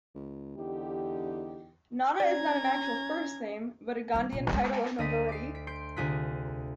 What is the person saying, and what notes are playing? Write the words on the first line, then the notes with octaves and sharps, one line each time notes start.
Nana is not an actual first name, but a Ghanaian title of nobility.
C#2
E2 D3 D#4 G4
C#4 D5 A#5 G#6
D#3 G3
A#1 B2
G#3
D2 D#5 B6 D#7
D6 C7
B6 D7
C6 G6 C7 D7
D2 C3 F4 G#4 F#6 B6